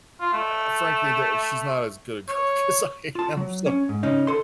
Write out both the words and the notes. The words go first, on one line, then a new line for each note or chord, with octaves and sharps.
eh eh, frankly, ther she's not as good a cook as I am, so
F4
A3
C#5
F4 A5
F#3
C#4
G#2
C#3 C#4 D#4
A4 C6